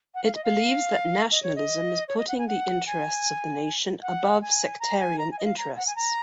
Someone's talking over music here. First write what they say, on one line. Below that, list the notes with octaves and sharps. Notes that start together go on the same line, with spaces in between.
It believes that nationalism is putting the interests of the nation above sectarian interests.
F#5
F5
D#5
F5
D#5
C#5
D#5
C#5
D#5
F#5
G#5
F#5
G#5
F#5
G#5
A#5
G#5
A#5
G#5
D#5
F5
A#5
F#5
G#5
A#5